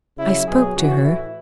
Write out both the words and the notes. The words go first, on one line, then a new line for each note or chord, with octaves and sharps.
I spoke to her.
C#3 F#3 E4
B2 F#3 G#4
C#3 E3 F#4
A2 E3 E4